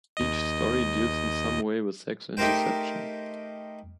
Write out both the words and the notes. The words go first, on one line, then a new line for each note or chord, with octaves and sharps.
Each story deals in some way with sex and deception.
D#2 D#5
A3 D#4 G4 A#4 C5 G5